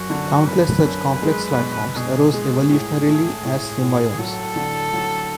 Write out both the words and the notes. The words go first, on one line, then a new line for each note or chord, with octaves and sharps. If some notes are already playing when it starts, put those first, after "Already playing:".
Countless such complex life forms arose evolutionarily as symbiomes.
Already playing: F#2 F#4
D3
F#2 B4
F#2
G#3
B2
B2 G#4
G#3
A2
A3
A2
A2
F#3 A4
D3
F#3